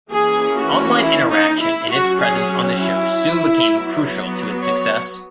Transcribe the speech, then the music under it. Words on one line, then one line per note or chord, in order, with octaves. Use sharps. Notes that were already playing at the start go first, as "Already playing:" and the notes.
Online interaction and its presence on the show soon became crucial to its success.
E3 A#3 C#4 G#4
F#4
E4
D#4
E4
F#3 C#4 F#4
G#4
E4
F#3 B3
C#5